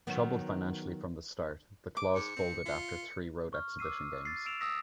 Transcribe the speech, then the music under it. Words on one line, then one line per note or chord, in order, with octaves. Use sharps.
Troubled financially from the start, the Claws folded after three road exhibition games.
D#3 F#3 B3
D6
G#2 C#7
C4
F4
C#6 F6
D6 E6 C7 D#7
A6 C7
E6 C7 D7 E7 F7
D#6 E6 A#6 B6